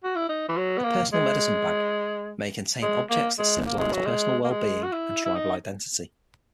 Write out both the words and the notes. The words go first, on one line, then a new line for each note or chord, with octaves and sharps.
A personal medicine bag may contain objects that symbolize personal well-being and tribal identity.
F#4
E4
D#4
E3
F#3
B3
A#3
G#3
G#3
A#3
G#3
A#3
G#3
F#3
G#3
A#3
G#3
F#4
E4
E4
D#4